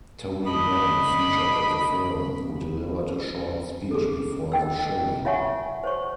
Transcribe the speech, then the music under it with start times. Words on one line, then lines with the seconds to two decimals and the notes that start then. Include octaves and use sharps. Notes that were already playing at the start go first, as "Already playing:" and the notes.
Tony Benn, featured in the film, who delivered a short speech before the showing.
0.47 D4 D#5 B5
3.91 G#4 A4
4.52 D#5 G5 E6
5.25 F4 C#5 E5 F#5 G#5 C#6
5.84 C5 C#5 C#6